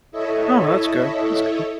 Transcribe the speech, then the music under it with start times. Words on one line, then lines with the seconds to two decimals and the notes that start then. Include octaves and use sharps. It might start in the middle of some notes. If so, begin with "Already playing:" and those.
Oh, that's good, that's good.
0.11 E4 A4 C#5 D#5 E5